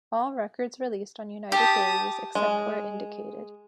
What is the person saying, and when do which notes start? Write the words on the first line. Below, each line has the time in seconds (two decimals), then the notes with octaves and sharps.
All records released on United Dairies, except where indicated.
1.52 G4 A5 D#6
2.35 G#3